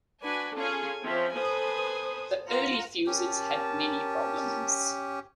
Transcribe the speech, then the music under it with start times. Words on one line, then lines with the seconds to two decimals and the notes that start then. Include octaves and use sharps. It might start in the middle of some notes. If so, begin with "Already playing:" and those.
The early fuses had many problems.
0.23 D4 F#4 B4 G#5
0.56 C#4 F4 G#4 A4 G#5
1.03 F3 C4 C#4 E5
1.33 A4 B4 C5 G#5 D#6
2.48 F4 F#5 A#5
3.07 C#4 G4 A#4 A5